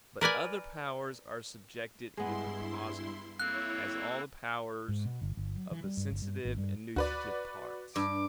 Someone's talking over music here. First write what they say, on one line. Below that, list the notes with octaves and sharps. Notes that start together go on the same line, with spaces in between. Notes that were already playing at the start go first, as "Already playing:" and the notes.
But other powers are subjected in the composite; as all the powers of the sensitive and nutritive parts.
A#4 B4 D5 G#5
G2 G#3 B3 E4 C6
A#3 C4 E4 A4 C#5 F#6
G#2
B2
G1
G1
F#3
E3
G3
G2
G1
G2
G#1
G2
D2 F#4 B4 D5
G2 D6